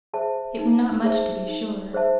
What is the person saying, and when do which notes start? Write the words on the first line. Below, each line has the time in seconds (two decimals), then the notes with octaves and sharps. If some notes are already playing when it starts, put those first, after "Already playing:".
It were not much to be sure.
0.13 G#4 C5 E5 A5
0.59 D#4
1.04 G#4 C5 E5 A5
1.48 D#4
1.93 G#4 C5 E5 A5